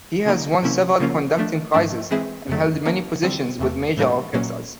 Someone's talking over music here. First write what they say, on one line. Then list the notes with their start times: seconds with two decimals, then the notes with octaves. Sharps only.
He has won several conducting prizes and held many positions with major orchestras.
0.26 C#3 F#3 A#3 D#4
0.63 C3 F3 A#3 C#4 E4
1.00 C#3 F3 A#3 C#4 F4
1.37 F3 A3 D4
1.74 G#2 F3 A3 D4
2.11 E3 G#3 C4 E4 G#4
2.48 F2 C#3 F#3 A3
2.85 F3 A#3 C#4
3.22 D3 G3 C4
3.59 E2 C#3 E3 A3
3.97 A2 E3 G3 A#3 D4
4.33 A#2 F#3 A#3 C#4